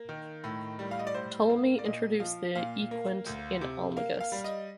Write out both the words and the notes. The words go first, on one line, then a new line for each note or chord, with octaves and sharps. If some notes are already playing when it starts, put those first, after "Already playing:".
Ptolemy introduced the equant in "Almagest".
Already playing: A#3
D#3
A2
G3
F5
D#5
D5
A2 C5
A#3 F5
D5
A#2 D#5
F3 F5
A#2 F5
A#3
D2
C3
A#3 F5
F5
G3
D#5